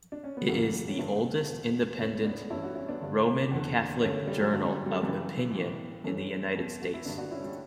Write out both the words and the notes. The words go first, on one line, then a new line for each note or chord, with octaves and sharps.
It is the oldest independent Roman Catholic journal of opinion in the United States.
D4
C#4
B3
E2 C#3 E3 F#3 A3
C#4
G2 D3 G3 B3
E2 B2
E2 C#3 E3 A3 C#4
B3 D4
G2 E3 C#4 E4
D4 F#4
C#4 E4
B3 D4
G2 D3
E2 D3
G2 D3 A3 C#4
G3
F#3
G2 D3 F#3
G3
G3
F#3 A3
F#2 C#3 E3 G3 B3
A2 E3
F#2 E3 A3 C#4
E2 B2
F#4
E4
G2 D3 B3 D4
D4 F#4
C#4 E4
G3